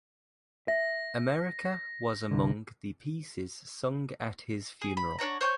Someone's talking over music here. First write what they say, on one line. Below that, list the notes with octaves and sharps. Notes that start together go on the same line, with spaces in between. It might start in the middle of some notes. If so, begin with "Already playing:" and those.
"America" was among the pieces sung at his funeral.
E5 A#6
C2 D3
G#4
B5
D4 C#5 F#5 A#5
C5 C#5 G#5 G6